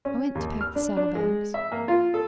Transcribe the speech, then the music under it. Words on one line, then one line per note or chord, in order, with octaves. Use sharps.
'I went to pack the saddle-bags.
C#4
D#2
F6
D4
D4
G#3
E5
A#3
F4
A4